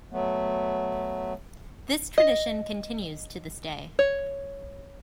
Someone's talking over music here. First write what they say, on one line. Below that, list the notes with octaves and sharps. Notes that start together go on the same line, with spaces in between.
This tradition continues to this day.
F#3 A3 B3
D#5
C#5